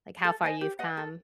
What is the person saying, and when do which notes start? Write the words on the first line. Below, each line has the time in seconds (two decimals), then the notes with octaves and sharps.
like, how far you've come
0.24 A4
0.43 C5 D#5 G#5
0.61 G4
0.79 B4 D#5 F#5
0.97 A4